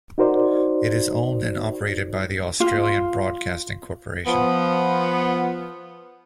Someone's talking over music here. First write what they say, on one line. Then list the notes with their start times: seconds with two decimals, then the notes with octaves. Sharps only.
It is owned and operated by the Australian Broadcasting Corporation.
0.18 D#4 F#4 A#4 C5 D5
2.60 F4
4.27 F3 B3